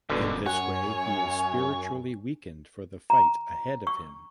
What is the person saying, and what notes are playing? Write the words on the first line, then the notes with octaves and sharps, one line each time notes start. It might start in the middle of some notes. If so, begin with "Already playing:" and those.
In this way he is spiritually weakened for the fight ahead of him.
D#1 B1 F#2 B2 D3
F#2 C#5 F#5 G#5
A#5
C#6